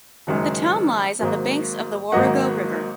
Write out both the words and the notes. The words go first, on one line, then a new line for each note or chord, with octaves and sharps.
The town lies on the banks of the Warrego River.
F#1 F#2 D#3 G#3
G#1 G#2 F#3 A#3
G#1 G#2 F#3 A#3 D#5 F#5